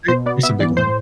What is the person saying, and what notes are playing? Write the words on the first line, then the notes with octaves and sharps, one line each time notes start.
the is a big one.
B2 C5
B3 D5
B3 E5
E3 D5
A2 C5